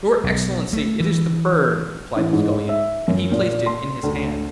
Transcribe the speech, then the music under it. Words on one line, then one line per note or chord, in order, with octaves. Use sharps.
'Your Excellency, it is the bird,' replied the Scullion, and he placed it in his hand.
B1
A3
E3
A1
G#2
E5
F#2
A#2
C6
D2